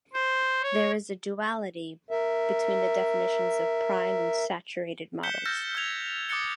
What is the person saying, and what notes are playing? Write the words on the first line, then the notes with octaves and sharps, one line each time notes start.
There is a duality between the definitions of prime and saturated models.
C5
C#5
A#4 E5
F#6 G6 B6 C#7 E7 G7
E6 F6 G6 A6 A#6
F6 G6 G#6 F7
D6 D#6 F#6 A6 C#7 G7